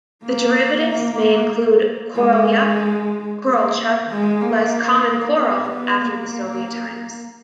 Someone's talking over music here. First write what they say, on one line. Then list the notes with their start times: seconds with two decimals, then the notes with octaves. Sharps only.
The derivatives may include Korolyuk, Korolchuk, less common Korol after the Soviet times.
0.23 A#3
2.16 G#3
3.45 A#3
4.09 G#3
4.41 A#3
5.37 B3
5.69 B3
6.01 A#3